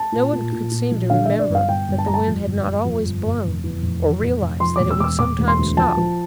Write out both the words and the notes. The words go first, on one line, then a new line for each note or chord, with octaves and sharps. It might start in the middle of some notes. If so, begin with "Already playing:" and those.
No one could seem to remember that the wind had not always blown, or realize that it would sometime stop.
Already playing: A5
A#2
A#2
A#2
A#2
A#1
D3 F5
D3 E5
D5
G1
F5
G1 G5
G1
A5
G1 A#5
A5
F2
G1
G1
F2
G1
G1
F1
E2
F1
E3
F1
F1
F3 C6
E1 D6
E6
E1 D6 E6
E1 D6
E1
C6
D2
F3 A5
F3